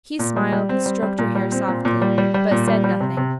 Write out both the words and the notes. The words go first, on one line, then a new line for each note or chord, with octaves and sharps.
He smiled, and stroked her hair softly, but said nothing.
A#2
G3
G3
C4
G3
G3
A#2
G3
C4
A#2
A#2
G3
G3
G3
A#2
G3
G3
C3
C3